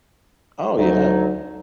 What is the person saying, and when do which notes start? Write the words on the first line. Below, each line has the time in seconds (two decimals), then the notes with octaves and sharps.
Oh, yeah.
0.77 D2 F#3 D#4